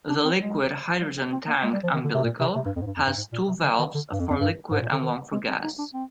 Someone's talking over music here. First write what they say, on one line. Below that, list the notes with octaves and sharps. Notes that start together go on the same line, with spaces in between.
The liquid hydrogen tank umbilical has two valves for liquid and one for gas.
D4
C4
G#3
G3
C4
C4
A#3
G#3
G3
F3
D#3
D3
C3
A#2
C3
C3
G2
F2
G#2
G2
F2
G2
G#2
A#2
C3
D3
D#3
D3
G2
F2
F2
G2
G#2
A#2
D3
D#3
G#3
C4
D#4
D4
C4